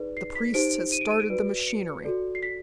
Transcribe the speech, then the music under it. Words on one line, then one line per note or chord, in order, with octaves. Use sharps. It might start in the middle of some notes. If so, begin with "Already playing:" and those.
The priests had started the machinery.
Already playing: D#4 G#4 B4 D5
C7
B6
D#4 G4 C5 D7
D#7
D7
D#7
D7
F#4 B4 D5
D7
C#7
F#4 A4 D5
C7
B6